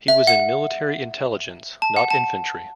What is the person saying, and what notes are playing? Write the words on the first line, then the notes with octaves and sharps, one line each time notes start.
He was in military intelligence, not infantry.
E5
F#5
A5
F#5
A5